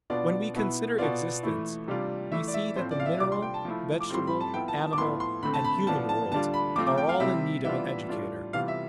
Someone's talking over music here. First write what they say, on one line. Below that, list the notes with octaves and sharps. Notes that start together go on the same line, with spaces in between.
When we consider existence, we see that the mineral, vegetable, animal and human worlds are all in need of an educator.
B2 B3 D4 F4 D5
B2 B3 E4
B2 B3 F4 D5
E3 A3 E4
C3 G3 D4 F4
E3 A3 E4 E5
D5
E5
A2 F3 C4 C5
D5
F5
E5
C3 G3 D4 F4 D6
C6
G5
A5
F3 A3 E4
D6
A2 G3 C4 F4 C6
B5
A5
F3 B3 E4 G5
A5
D6
A2 F3 B3 E4 C6
C6
D3 A3 C4 B5
A5
B5
A2 F3 B3 D4 A5
A5
D3 G3 D4 F4 A5
B5
F3 A3 C4 F4 D6
D6
G5
F5
C3 G3 C4 E4 E5
E3 G3 B3 D4 F4 E5
A2 G3 D4 F4
C3 E3 G3 B3 F4 F5
E5